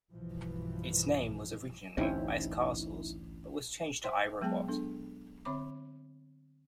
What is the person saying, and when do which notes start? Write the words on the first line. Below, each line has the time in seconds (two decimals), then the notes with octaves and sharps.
Its name was originally "Ice Castles", but was changed to "I, Robot".
0.13 B1 G2 B2 E3 F3
1.97 A1 D2 G2 C4 C#4 D#4 E4
4.04 C5 E5 G5 C6
4.41 F#3 G#3 B3 G#4 G5 A5
4.68 B3 D4 A4
5.45 D3 C4 C#5 E5 B5 D6